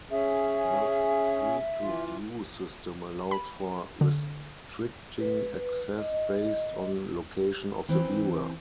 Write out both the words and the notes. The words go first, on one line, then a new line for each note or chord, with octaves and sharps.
The free-to-view system allows for restricting access based on location of the viewer.
C#4 G#4 E5
E3 F4
B5
D3
B4
D#5
D#5
E3 C4